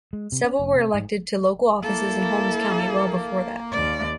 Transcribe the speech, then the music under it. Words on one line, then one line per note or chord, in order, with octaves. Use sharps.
Several were elected to local offices in Holmes County well before that.
G#3
C3
C#4
F1
C3
G#2
A#3 E4 A4
D#2 D5